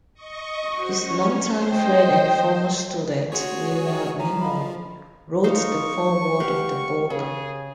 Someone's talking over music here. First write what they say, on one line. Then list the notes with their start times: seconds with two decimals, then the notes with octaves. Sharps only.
His longtime friend and former student, Leonard Nimoy, wrote the foreword for the book.
0.14 D#5 C#6
0.68 F#4 C5 C#6
0.99 C#4
1.44 C5
1.74 D#5 G5
3.32 F#4 G#4 C5 C#5
3.86 E5
4.20 F3 E5 G#5 A#5
4.41 D#5 F5 B5
5.44 D#4 C5 F5 C#6
6.40 G4 F5 F#5
7.10 C#3 G#4